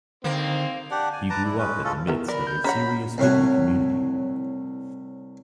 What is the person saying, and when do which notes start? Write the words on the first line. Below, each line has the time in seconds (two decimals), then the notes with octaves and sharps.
He grew up in the midst of a serious hippie community.
0.24 D3 D#3 A#3 C4
0.91 D4 G4 D5 F#5
1.13 D5 G#5
1.30 B4 A5 A#5 D6
1.44 E4 D5
1.58 G#3 C#4 B4
1.84 G#3 C#4 F4 A4
2.07 E3 B3 A#4
2.28 A#4 D5 B5
2.47 G6
2.64 C#4 C#5 F#5 A#5 B5
3.18 C2 A2 C#5 F#5